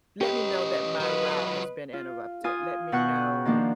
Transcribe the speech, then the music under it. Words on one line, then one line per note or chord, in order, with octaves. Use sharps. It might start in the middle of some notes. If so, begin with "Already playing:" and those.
"Let me know that my route has been interrupted." Let me know,
C#4 G4 B4 D#5
F#3 F4 B4
F4
F4 G#5 D#6
B2 F#4 F#5 G5 C#6 F#6
D#3 F3 A#3 D4